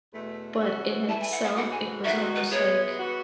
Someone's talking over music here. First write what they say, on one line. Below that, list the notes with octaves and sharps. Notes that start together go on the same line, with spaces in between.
but in itself, it was almost like
E2 B2 A3
C#3 E3 B3 F#4 A4
E3 A3 E4 A5
G#5
F#5
F#5
A2 E3 G#3 D#4 F#4 F#5
G#5
E2 D#3 G#3 D#4 F#4 E5
D#5
B4
B2 G#3 B3 E4 G#4 C#5
E3 B3 F#4